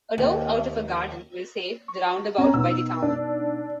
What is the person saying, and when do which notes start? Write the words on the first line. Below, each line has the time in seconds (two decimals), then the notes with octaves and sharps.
A door out of our garden will save the roundabout by the town.
0.18 D#2
1.88 C#6
2.38 C#4 A#5
2.54 B2 B3 D#4 E6
3.02 D4